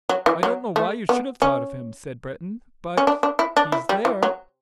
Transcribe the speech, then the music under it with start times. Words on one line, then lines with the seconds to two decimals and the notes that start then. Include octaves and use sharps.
"I don't know why you should have thought of him," said Breton. "But--he's there."
0.09 F#3
0.26 E3
0.43 F#3
0.76 A3
1.09 B3
1.42 C#4
2.97 C#4
3.07 D4
3.23 D4
3.39 E4
3.57 D4
3.72 E4
3.89 G3
4.05 E3
4.23 F#3